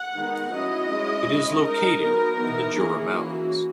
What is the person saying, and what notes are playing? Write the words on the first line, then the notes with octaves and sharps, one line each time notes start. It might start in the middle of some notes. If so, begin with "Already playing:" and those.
It is located in the Jura mountains.
Already playing: F#5
D#3 G#3 B3 D#4
F#3 C#4 E4 D#5
G#3 C#4 E4
G#3 C#4 E4
G#3 D#4 A#4
F#3 B3 D#4 A#4
E3 B3 D#4
E3 A#3 C#4 G#4
E3 A#3 C#4 F#4